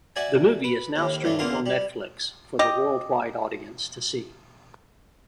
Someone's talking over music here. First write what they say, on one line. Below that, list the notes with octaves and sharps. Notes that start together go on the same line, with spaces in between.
The movie is now streaming on Netflix for the worldwide audience to see.
F#4 D5 E5 G#5
B4
D#2 A2
A1 G2 A3 D4
E2 D3 A#3 F4 A#4 C6
G3
G4 D#5